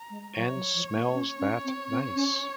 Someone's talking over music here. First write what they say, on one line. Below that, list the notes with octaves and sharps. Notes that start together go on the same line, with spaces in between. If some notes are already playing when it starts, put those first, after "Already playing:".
And smells that nice!
Already playing: A#5
G#3
F#3 C#5
F#3
F3
A#3
C#4
C#4
C4
C4
C#4